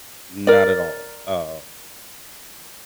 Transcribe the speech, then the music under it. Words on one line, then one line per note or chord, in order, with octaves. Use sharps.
Not at all, um
A#4 D5